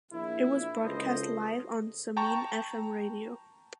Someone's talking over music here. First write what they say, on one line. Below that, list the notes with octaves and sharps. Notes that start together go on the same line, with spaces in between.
It was broadcast live on Zamin Fm radio.
A#1 E4
F#1 C#2 A4 C5 D#5
G5 A5 A#5 C#6